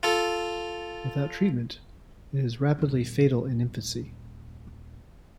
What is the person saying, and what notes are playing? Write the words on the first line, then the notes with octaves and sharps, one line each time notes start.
Without treatment, it is rapidly fatal in infancy.
F4 A4
D#1 D4